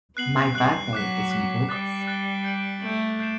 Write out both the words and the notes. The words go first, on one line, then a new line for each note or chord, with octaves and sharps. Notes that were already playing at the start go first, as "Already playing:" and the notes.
My birthday is in August.
B3 F#6 C7 F#7
G3 F#6 C7 F#7
F#3 D6 F#6 B6
D6 F#6 B6
G3 D6 F#6 A6 C7 G7
D6 F#6 A6 C7 G7
G6 D7 F#7
A3 G6 D7 F#7
G6 C7 E7